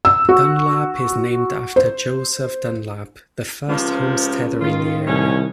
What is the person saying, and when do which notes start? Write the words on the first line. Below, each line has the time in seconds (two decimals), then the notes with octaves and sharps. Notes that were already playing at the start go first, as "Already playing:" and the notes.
Dunlap is named after Joseph Dunlap, the first homesteader in the area.
0.05 E6
0.29 F#4
1.76 C5
3.68 C#2 C3 F3
4.60 D#3 F4
5.07 C2 D3 C#4